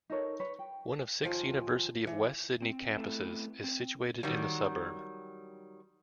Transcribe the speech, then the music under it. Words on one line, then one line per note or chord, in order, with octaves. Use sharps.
One of six University of Western Sydney campuses is situated in the suburb.
D#4 A4 A#4 C#5
B4 C#5
G5
D#2 F3 G#5
E3
C4
A3 B3 C4 E4 A4
C4
D#3 F#3 G3